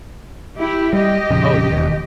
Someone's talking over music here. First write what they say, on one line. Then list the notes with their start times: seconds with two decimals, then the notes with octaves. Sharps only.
Oh, yeah.
0.58 E4 G4
0.93 G3 G4 D#5
1.31 A#1 F2 C#3
1.70 E1 D#2